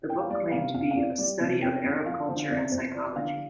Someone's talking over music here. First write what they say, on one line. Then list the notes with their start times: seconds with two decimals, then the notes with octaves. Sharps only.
The book claimed to be a "study of Arab culture and psychology".
0.09 G5
0.20 F5
0.30 G3 D5
0.52 C3 F5
0.74 F2 F5
0.91 F5
0.96 F2 D5
1.18 G3 D5
1.40 C3
1.62 F2 G5
1.84 F2
2.06 F3 F5
2.29 D3 C5
2.39 F5
2.50 F2 D5
2.72 F2 C5
2.94 F3 D5
3.16 D3 F5